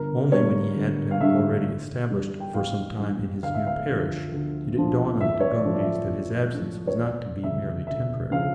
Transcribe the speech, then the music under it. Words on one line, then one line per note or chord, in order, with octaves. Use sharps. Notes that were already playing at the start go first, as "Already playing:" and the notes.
Only when he had been already established for some time in his new parish did it dawn on the de Gondis that his absence was not to be merely temporary.
Already playing: G1 A#4
G2 D3 G3 C#5
G1
F5
G2 D3 G3 E5
A1
G2 E3 G3
G5
A1 F5
G2 E3 G3
D2 F5
E5
F5
D3 F3
D2
D3 F3
A1 E5
C#5
D5
A2 F3
D5
E5
A1
A2 F3
C#5
E1 D5
D2 C#3 F3 E5
E1 E5
C#3 F3 F5